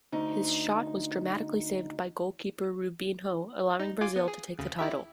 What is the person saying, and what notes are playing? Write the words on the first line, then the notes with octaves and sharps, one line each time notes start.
His shot was dramatically saved by goalkeeper Rubinho, allowing Brazil to take the title.
D2 D#4
D#4
F4 G#5 D6
B3
G#4
D2 C#3
E4 G4 E5